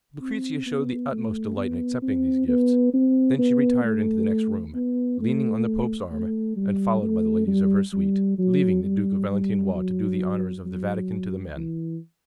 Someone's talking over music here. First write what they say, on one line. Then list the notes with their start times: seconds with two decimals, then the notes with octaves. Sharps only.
Lucrezia showed the utmost delight in accepting these gifts; then she retired into the next room, leaning on the pope's arm, and followed by the ladies of her suite, leaving the Duke of Valentinois to do the honours of the Vatican to the men.
0.21 C4
0.67 B3
1.12 A3
1.57 B3
2.03 C4
2.48 B3
2.94 C4
3.39 B3
3.84 A3
4.75 B3
5.20 A3
6.11 A3
6.57 G3
7.02 A3
7.47 G3
7.93 G3
8.38 F#3
8.84 G3
9.29 G3
9.75 F#3
10.66 F#3
11.56 E3